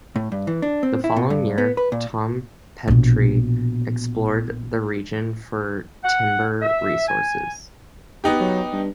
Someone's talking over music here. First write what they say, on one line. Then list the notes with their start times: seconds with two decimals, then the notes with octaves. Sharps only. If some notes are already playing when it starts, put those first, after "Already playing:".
The following year, Tome Petrie explored the region for timber resources.
0.16 A2
0.32 G2
0.47 E3
0.62 D4
0.83 C4
1.04 E4
1.16 B2
1.30 G2
1.58 B3
1.77 B4
1.92 A#2
2.88 A#1 B2
6.03 F#5
6.61 E5
7.08 G#5
8.24 B3 D#4 G4
8.41 F#3
8.73 G2